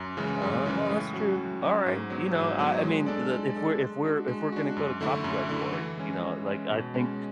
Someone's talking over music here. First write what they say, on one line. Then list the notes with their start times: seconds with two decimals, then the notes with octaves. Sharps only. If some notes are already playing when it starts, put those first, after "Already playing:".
Uh, well, that's true. Alright. You know, I I mean, the if we're if we're if we're gonna go to copyright court, you know, like, I think
Already playing: F#2
0.17 C#3 E3 G#3 C#4
0.42 F#2
0.65 C#3 E3 G#3 C#4
0.90 A2
1.13 F#3 C#4 F#4
1.38 A2
1.62 F#3 C#4 F#4
1.86 G#2
2.10 F#3 B3
2.35 G#2
2.59 F#3 B3
2.83 G#3
3.06 D4 A4 D5
3.31 G#3
3.55 D4 A4 D5
3.79 G#3
4.04 D4 F#4
4.28 G#3
4.52 D4 F#4
4.77 F#2
5.01 D3 A3 E4
5.24 F#2
5.49 D3 A3 E4
5.73 E3
5.97 G#3 C#4
6.21 E3
6.46 G#3 C#4
6.70 B2
6.94 G#3 C#4